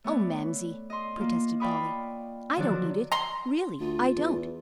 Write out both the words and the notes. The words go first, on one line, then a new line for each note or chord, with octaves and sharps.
"Oh, Mamsie," protested Polly, "I don't need it; really, I don't."
A3 B3 C#5 D5
D#5 C6
A#3 F4
D5 F5 G5 B5 C#6 D#6
D3 D#3 F3 F#3 F#4 D5
A#5 C6
D2 F4
E2